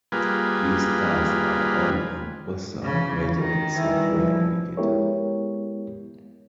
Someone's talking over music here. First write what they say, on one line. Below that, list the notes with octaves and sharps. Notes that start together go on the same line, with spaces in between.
These stars are all in Ursa Major except where indicated.
G3 A#3 F4 G#4 B4
C#3 E3
D#3
E3 G3 E4
F3
G#3 B3 E4 G4 A#4 C#5